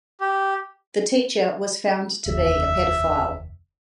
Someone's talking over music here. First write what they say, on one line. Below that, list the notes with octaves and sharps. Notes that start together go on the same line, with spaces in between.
The teacher was found to be a paedophile.
G4
F1 D#2 E5